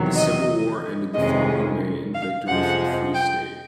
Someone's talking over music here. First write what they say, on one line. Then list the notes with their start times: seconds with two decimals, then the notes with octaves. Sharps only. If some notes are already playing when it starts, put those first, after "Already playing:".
The Civil War ended the following May in victory for the Free State.
Already playing: E2 C3 D#3 F#3
0.15 D#5
1.15 F2 C3 D#3 G#3 C#4 D#5
2.14 F5
2.47 F2 C3 F3 G#3 F#5
3.14 G5